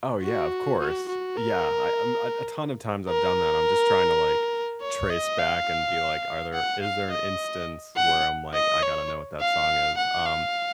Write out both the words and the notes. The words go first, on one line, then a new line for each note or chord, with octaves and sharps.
Oh, yeah, of course. Yeah, I um, uh, a ton of times I've done that, I'm just trying to, like, trace back, and be like, are there is there an instance where I'm like, "I gotta know what that song is?" Um
F#4
F#4
F#4
A#4
A#4
C#5
D#5
F5
F#5
F5
D#5
F#5
D#5
C#5
F5
F#5
F5